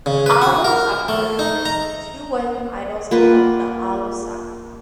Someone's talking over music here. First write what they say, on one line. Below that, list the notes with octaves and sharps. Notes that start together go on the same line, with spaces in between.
Alosaka refers to two wooden idols called the Alosaka.
C#3
B4
F#4
A#4
A3
D#4
A#5
A#3 F4 B4 F#5